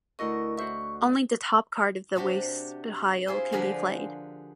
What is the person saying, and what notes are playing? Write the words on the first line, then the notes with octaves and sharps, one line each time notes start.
Only the top card of the waste pile can be played.
D2 E4 F#4 A#4 D#5 C#6
F#4 C5 E5 C#6
C3 D4 F#4 G4
E4 F4 G#4 C5
D3 F3 G4 G#4 A#4 B4